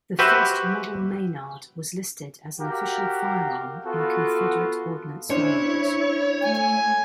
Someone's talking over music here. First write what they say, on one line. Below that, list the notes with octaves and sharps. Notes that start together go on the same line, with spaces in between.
The First Model Maynard was listed as an official firearm in Confederate ordnance manuals.
F#4 G4 B4 C5 E5
F#4 G4 A#4 F5
B3 F4 F#4 A4
C#4 D4 E4 C5 C#5
A3 G#5